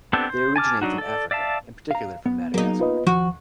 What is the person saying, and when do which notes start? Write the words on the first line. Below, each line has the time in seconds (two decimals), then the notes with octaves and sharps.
They originate from Africa, in particular from Madagascar.
0.13 B3 C4 D4 G4 A4
0.29 C5
0.56 G#5 A5 D6 F6
0.82 F#3 D4 D#4 F#4
0.98 A4 D5
1.31 D5 E5 F5 A5
1.91 F5 A#5
2.26 B3
2.54 F#3 A#3 D#4 G#4
2.80 F4 B4 D#5
3.07 D#2 F3 F#4